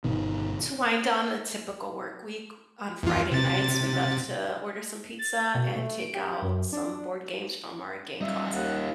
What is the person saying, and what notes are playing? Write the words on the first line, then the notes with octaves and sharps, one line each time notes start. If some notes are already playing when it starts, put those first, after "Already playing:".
To wind down a typical work week on Friday nights, we love to order some pizza and take out some board games from our game closet.
G1 B2 D#3
E2 F4
C3 A6
A6
B2
A3
D7
G4
F#2
D4
G3 D#4 F4 E5
D#2 F#5